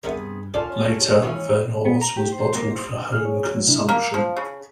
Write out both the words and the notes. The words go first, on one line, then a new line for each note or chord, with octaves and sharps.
Later Vernors was bottled for home consumption.
G2 C3 B3 G#4 A#4 E5 F#5
C#4 F4 A4 D5 G5 A5
C#5
D#2 G#2 E3 C#4 E4 F4
B3
A#5
G4
C5
A#3
C5
G#4 F6
C#5
F#3
C3 D4 E4
A#3
F3
C#3